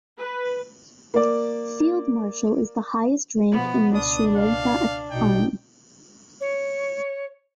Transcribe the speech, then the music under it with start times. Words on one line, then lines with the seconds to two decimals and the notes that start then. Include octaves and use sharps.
Field Marshal is the highest rank in the Sri Lanka Army.
0.19 B4
1.14 A#3 D5
3.52 B2 F3 B3
3.94 C#2 B2 D4 D#6
4.37 F5
5.11 A#1 B2 D#4 G5
6.40 C#5